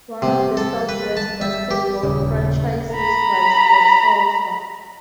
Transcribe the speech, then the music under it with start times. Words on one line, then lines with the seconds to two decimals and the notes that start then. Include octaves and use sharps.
One of the Southwest Basketball franchises was for Tulsa.
0.22 C3
0.57 A4
0.89 B4
1.17 A5
1.41 E5
1.71 G4
2.03 D#1 C#3
2.93 A#5 B5